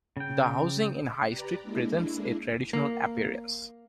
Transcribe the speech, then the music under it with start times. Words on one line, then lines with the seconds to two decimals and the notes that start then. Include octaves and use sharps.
The housing in High Street presents a traditional appearance.
0.17 C#3 G5
1.26 G4 B4 D5 A#5
1.63 G#3 A#3 D4 E4
2.73 A#3